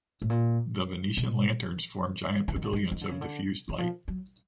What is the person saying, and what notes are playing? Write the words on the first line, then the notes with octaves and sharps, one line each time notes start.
The Venetian lanterns formed giant pavilions of diffused light.
A2
A#2
B2
E3
D#3
D3
D#3
D#3
D3
C#3
D3
E3
F3
F#3